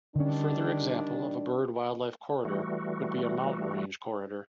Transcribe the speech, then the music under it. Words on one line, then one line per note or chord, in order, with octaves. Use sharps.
A further example of a bird wildlife corridor would be a mountain range corridor.
D3 D#3 G3 C#4 D4
E3 G3 A3 F#4